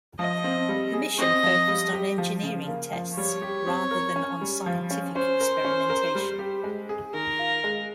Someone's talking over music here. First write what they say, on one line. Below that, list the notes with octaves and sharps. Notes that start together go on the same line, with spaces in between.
The mission focused on engineering tests rather than on scientific experimentation.
F3 D#5
C4
G3
G#4
C4 D#5
F3
G3
G4
F3
C#3
A#3
F3
G3 C#5
G4
C4
A#4
C#4
G3
F3
C#4
C#4 C5
A#4
C#4
A#4
G3
G4
G#3
G#4
D#3 A#4
F4
G#3